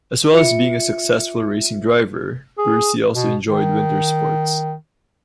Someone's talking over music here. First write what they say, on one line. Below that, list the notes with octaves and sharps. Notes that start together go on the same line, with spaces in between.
As well as being a successful racing driver, Percy also enjoyed winter sports.
F4 E5 C#7
G#4
B2
D#3